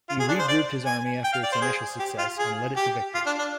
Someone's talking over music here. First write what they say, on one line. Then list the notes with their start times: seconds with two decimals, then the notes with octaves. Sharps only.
He regrouped his army after its initial success, and led it to victory.
0.09 F4
0.20 G#4
0.29 D4
0.39 C5
0.48 D5
0.86 G#5
1.24 G5
1.33 F5
1.43 D5
1.53 C5
1.62 G#4
1.99 G4
2.18 F4
2.39 G#4
2.76 G4
3.15 F4
3.26 D4
3.39 D4